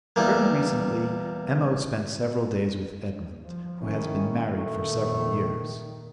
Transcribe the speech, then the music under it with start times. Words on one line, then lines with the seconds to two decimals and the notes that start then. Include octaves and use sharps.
Very recently M.O. spent several days with Edmund, who has been married for several years.
0.16 E2 G3 A#3
3.44 F3
3.81 D#3 C#4 E4
4.53 A#2 D#3 A3